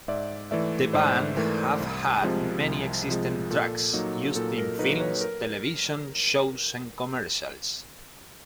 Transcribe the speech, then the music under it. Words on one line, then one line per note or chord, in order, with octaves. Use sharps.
The band have had many existing tracks used in films, television shows and commercials.
G#2 D5 E5
E3 A3 D5 E5
G#2 C5 D5
E3 A3 A#4
C2
C3 F3 G#3
C2
C3 F3 G#3
A#2 A4
F#3 A#3 D#4
A#2 A4
A#4
F#3 A#3 D#4 A4 B4
B4 C#5
A#4